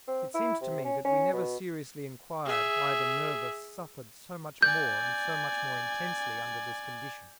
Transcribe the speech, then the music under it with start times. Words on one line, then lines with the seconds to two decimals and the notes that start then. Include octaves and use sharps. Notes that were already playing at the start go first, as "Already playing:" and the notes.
It seems to me that we never seriously inquired why the nervous suffered so much more and so much more intensely under this condition.
0.08 C4
0.34 E4
0.61 C3
0.85 C#4
1.05 C#4
1.33 B2
2.45 G#4 E5
4.62 D5 G#5 G6